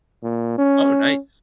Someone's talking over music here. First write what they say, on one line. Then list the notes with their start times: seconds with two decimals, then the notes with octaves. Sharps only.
Oh, nice.
0.23 A#2
0.58 C#4